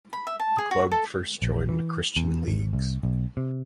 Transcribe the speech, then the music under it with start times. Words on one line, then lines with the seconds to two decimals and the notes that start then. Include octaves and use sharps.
The club first joined Christian leagues.
0.13 B5
0.27 E5
0.40 A5
0.58 G#4
0.71 F#4
0.92 A4
1.42 A#1
1.69 E3
2.17 E2
2.48 G#1
2.73 C2
3.03 B1
3.37 C3